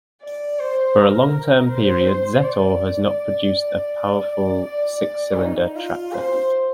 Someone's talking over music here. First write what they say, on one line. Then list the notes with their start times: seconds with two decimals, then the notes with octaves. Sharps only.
For a long-term period, Zetor has not produced a powerful six-cylinder tractor.
0.23 D5
0.60 C5
0.96 A#4
1.70 C5
2.44 D5
4.65 D5
5.39 D#4
5.75 F4
6.12 C5